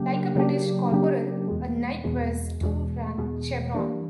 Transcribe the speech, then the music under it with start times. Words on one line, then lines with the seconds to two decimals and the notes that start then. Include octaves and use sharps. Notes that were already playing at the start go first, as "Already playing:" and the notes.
Like a British corporal, a naik wears two rank chevrons.
Already playing: C#3 F#3 A#3 D4 G4
0.35 C#3 F#3 A#3 D4 G4
0.92 C#3 F#3 A#3 D4 G4
1.48 E2 B2 G#3
2.04 E2 B2 G#3
2.61 E2 B2 G#3
3.18 E2 B2 G#3
3.74 E3 G3 A#3 D4